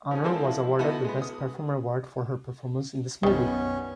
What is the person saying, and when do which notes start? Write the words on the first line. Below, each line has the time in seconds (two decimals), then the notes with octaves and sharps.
Aunor was awarded the Best Performer award for her performance in this movie.
0.11 F3 C#4
0.24 E3 F3 G#3 C4 A4 C5
0.44 F3 E4 F#4
0.79 B3 D#4 E4 F#4 A4 D#5
1.04 G#3 B3
1.22 D#6
3.23 B1 F#2 D#3 G3 B3 C#4